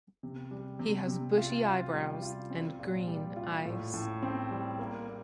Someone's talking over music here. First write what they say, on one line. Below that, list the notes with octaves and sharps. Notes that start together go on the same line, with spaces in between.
He has bushy eyebrows and green eyes.
C3
G3
C3
C3
F4
F4
G3
F4
C4
A#2
G3
F4
A2
A2
C4
G3
A#3
A#3